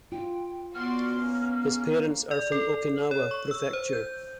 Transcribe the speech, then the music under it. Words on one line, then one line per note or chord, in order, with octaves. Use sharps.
His parents are from Okinawa Prefecture.
F4 G5
B3 F#4 D5 C6 F6
A#3 C#4
D5
A4
C#5
C#6
E6
C5
G6